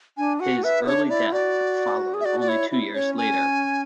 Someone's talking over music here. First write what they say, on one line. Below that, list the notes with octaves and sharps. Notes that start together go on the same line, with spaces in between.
His early death followed only two years later.
D4 G#5
F#4 F#5
B4 E5
D4 C#5
E4 D5
F#4 D5
G#4
E5
F#4 D5
D5
E4 C#5
E4
C#4 C#5
G#5